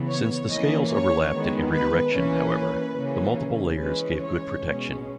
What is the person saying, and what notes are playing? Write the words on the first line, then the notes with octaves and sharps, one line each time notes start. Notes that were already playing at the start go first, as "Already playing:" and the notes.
Since the scales overlapped in every direction, however, the multiple layers gave good protection.
Already playing: C#3 E3 B3
C#5
E3 A#3 C#4 D#5
C#5
D#3 G#3 B3
B4
E3 A#3 C#4 B4
C#3 E3 A#3 C#4
E3 G#3 C#4 B4
C#5
B2 G#3 C#4